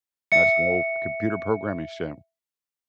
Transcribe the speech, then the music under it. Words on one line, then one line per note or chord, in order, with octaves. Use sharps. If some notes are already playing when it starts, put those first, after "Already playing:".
That's the whole computer programming saying,
E5 C#7